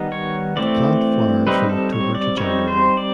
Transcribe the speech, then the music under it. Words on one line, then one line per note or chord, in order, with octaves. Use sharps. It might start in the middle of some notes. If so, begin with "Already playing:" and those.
The plant flowers from October to January.
Already playing: D#3 G3 B3 D#4
C#5
E3 A3 C4 D5
G3 C4 D#4 B4
A4
C#5
D5
G3 C4 D#4 C#5
C5
D5